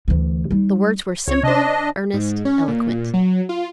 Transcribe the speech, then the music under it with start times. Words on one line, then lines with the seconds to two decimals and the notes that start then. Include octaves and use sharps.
The words were simple, earnest, eloquent.
0.08 D2 E3
0.51 G3 D#4
1.28 C#2 C#5
1.43 C3 D4 C5 D#5
2.14 G#2
2.45 C#4
2.68 A#2
3.14 F#3
3.49 F4